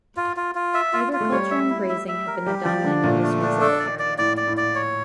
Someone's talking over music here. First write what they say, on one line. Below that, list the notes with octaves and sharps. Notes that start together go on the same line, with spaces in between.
Agriculture and grazing have been the dominant industries of the area.
F4
F4
F4
E5
F4
F4
A3
G3 C#5
E5
E4
E5
E5
A#4
G3 G4
F3 D5
D3 D4
A#2 A3
A3
D4
A4
D5
D5
A2 D5
D5
A2
D5
C#5